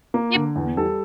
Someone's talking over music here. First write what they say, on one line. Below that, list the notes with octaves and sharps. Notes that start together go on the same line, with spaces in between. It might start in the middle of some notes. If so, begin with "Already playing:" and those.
Yep, mhm.
A#3
D3
E2
G3 A4